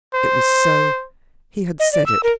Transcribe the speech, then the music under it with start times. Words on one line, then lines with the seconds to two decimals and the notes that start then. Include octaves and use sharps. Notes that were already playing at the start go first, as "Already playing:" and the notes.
It was so; he had said it.
0.14 C5
1.80 D#5
1.92 D5
2.06 E6
2.23 A#4